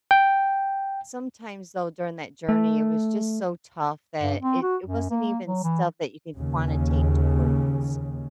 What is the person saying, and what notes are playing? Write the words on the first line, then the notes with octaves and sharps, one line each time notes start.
sometimes, though, during that journey, it was just so tough that it it wasn't even stuff that you could quantitate into words
G5
A3
G2
C4
F#4
F#2
A#3
F#3
E3
D#2 C#3